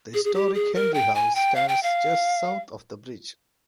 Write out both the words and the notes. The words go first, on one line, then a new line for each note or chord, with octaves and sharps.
The historic Henry House stands just south of the bridge.
G#4
G#4
G4
G#4
A#4
G5
G#5
G5
F5
G5
F5